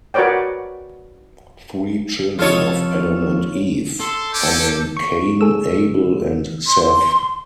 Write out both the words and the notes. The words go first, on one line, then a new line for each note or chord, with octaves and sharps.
Three children of Adam and Eve are named, Cain, Abel and Seth.
F#4 A#4 B4 C#5 D5 G5
F2 F4 A4 C#5 D#5
A4 C6
C#4 D6 G6
C#6
G#4 A4 E6
C6